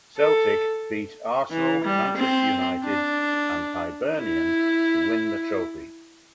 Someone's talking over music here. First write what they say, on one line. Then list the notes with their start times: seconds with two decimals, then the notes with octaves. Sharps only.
Celtic beat Arsenal, Manchester United and Hibernian to win the trophy.
0.17 A4
1.51 E3
1.84 G3
2.18 C4
2.84 D4
4.19 E4